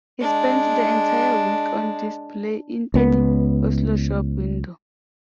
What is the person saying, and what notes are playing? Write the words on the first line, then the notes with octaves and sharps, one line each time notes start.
He spent the entire week on display in an Oslo shop window.
G#3 D4
C#2 B3